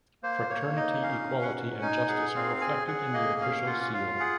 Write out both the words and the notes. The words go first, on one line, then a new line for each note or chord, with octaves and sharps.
Fraternity, equality and justice are reflected in the official seal.
A#3 C5
A#3 C#5
D#4 D#5
C#4 F5
C#4
F#5
C#4
D#4 G#5
G#4 F#5
C4 F5
G#4 G#5
G#4 F#5
A#3 D#5
C#4 F5
F4 F#5
F4 F5
G#4 F#5